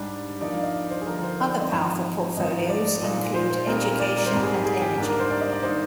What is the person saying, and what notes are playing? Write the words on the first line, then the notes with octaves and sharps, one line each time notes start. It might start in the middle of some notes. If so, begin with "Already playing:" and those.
Other powerful porfolios include Education and Energy.
Already playing: G#2 G3 D4 G4
G2 F3 A#3 D#4 D5
F5
D#5
D5
C5
G#4
D3 F3 A#3 D#4 A#4
A#4
C5
D5
D5
D#5
G#2 F3 C4 D#4
G#2 F3 C4 D#4 D#5
D5
A#2 G#3 D#4
C5
C5
A#2 G3 C4 D#4 A#4
A#4
D5
A#4
C5
G#2 G3 C4 A#4
G#4
G4
G#4
G4
G#2 G3 A#3 D4
A#4
C5
D5
D#5
D5
D#3 A#3 D#4 C5